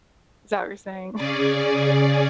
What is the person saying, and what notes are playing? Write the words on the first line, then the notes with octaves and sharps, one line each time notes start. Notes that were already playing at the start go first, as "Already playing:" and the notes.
Is that what you're saying?
C#3 C#4 G#4 D5